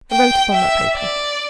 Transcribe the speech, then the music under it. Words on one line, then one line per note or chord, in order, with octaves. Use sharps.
"And wrote upon that paper."
G5
E5
D5